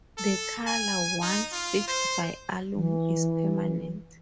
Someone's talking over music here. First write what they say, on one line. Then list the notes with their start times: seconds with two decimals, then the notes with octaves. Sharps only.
The colour, once fixed by alum, is permanent.
0.18 A4
0.67 G#5
1.22 D#4
1.52 F4
1.87 C5
2.76 E3